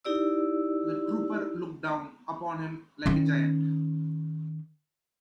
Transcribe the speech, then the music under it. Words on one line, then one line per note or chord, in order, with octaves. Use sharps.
The trooper looked down upon him like a giant.
D#4 E4 G4 D5 E6
D#3 C#4